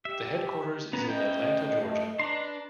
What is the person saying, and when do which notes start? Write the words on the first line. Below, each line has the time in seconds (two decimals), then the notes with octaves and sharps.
The headquarters is in Atlanta, Georgia.
0.05 G4 E5
0.93 B3 C#4 B4 A#5
1.09 A3 D#5 G5
2.19 D4 B4 A#5 C6